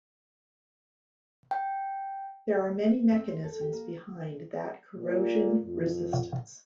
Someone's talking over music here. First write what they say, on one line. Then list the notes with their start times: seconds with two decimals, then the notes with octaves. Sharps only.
There are many mechanisms behind that corrosion resistance.
1.51 G5
3.12 C4
3.28 C5
3.44 A4
3.61 G4
3.73 A#3
4.98 A#2
5.66 F2